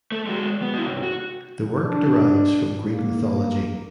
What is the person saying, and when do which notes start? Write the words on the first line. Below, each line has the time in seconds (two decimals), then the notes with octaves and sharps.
The work derives from Greek Mythology.
0.12 A3
0.27 G#3 F#4
0.62 B3
0.74 E4 F#4
0.86 C2 G2
1.03 F#4
1.82 D4
2.84 A#3